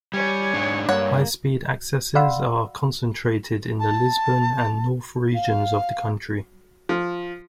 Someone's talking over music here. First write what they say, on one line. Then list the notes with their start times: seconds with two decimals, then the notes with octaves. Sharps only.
High-speed accesses are concentrated in the Lisbon and North regions of the country.
0.14 G3 C#5 G#5
0.53 G#2 D4
0.89 G2 A#3 C#5 F#5
2.15 D5 F5 F#5 B5 C6 E6
3.80 A5
5.34 F5
6.89 F3